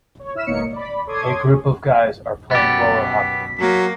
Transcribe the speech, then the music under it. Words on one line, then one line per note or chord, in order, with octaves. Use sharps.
A group of guys are playing roller hockey.
C#5
E4 E6 F6 B6 E7
G#1 B2 A#3 D#4 C#5 C#7
D5 B5
A4 C#5 C6 D6 D#6 G#6
C#4
F#2 B2 B3 G4 A6
B6
F#3 A#3